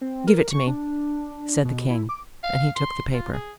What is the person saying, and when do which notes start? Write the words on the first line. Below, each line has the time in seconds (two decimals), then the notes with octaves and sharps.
"Give it to me," said the king; and he took the paper.
0.01 C4
0.27 A#4
0.51 C#6
0.67 D4
1.65 B2
1.90 E4
2.09 D6
2.44 F5
2.76 C6
3.14 F4
3.33 G#4